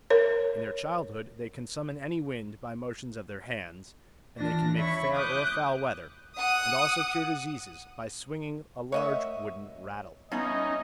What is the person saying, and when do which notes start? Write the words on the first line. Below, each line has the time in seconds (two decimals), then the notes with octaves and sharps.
In their childhood they can summon any wind by motions of their hands, and they can make fair or foul weather, and also cure diseases by swinging a large wooden rattle.
0.10 A#4 C#5
4.37 D#2 E3 D4 F4 A#6
4.76 C#5 E5 B5 C#6
5.13 D6 D#6 F#6 G6
6.39 F#5 D#6
8.92 A3 A#4 C#5 D#5 E5 F#5
10.32 B2 G3 B3 C#4 D#4 E4 D#5 A#5